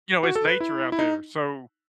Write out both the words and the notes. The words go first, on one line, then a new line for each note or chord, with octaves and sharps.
You know, it's nature out there, so
F#4
A4
B4
E4
E4
D#4